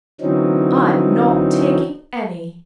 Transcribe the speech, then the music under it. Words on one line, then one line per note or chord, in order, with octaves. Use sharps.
I'm not taking any.
D3 E3 F#3 C4 C#4 D#4